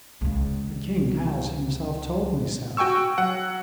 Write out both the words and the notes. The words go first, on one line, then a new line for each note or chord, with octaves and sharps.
"The king has himself told me so."
C#2 C#3
F#4 G5 G#5 C#6 E6
F#3 F#5